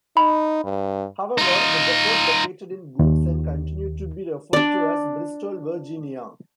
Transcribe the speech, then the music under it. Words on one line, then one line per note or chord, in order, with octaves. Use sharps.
However, the depot located in Goodson continued to be referred to as Bristol, Virginia.
D#4 B5
G2
D#4 F4
D#2
D4 D5